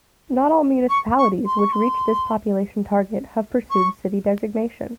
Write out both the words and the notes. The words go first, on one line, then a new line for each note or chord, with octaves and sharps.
Not all municipalities which reach this population target have pursued city designation.
C#6
C#6
C6
C#6
C6
C#6